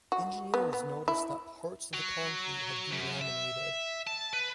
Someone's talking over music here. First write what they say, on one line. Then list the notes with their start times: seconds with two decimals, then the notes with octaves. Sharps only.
Engineers noticed that parts of the concrete had delaminated.
0.12 F#4
0.54 B3
0.73 B3
1.08 E4
1.93 F#3
2.92 F#2
3.21 E5
4.07 A5
4.33 B4